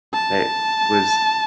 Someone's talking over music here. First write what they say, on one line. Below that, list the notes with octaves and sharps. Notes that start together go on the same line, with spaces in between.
that was
A5